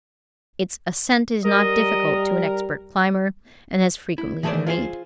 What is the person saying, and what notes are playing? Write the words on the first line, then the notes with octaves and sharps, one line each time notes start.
Its ascent is not difficult to an expert climber, and has frequently been made.
G3 A#4 D#5
E4
E3 A3 G#4 A#4 C5 D5
F4 G#4 C5